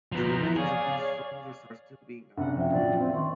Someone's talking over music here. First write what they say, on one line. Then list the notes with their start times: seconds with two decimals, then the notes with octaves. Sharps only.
The remains of these soldiers are still being uncovered today.
0.12 F3 B3 A#5 G6
0.56 G#4 C#5 D5 F5
2.38 F#1 C3 D4 F#5
2.56 F3 E5 G5
2.72 A#2 F3 F#3 D5
2.99 C4 E5
3.13 D#3 F#5 C6 C#6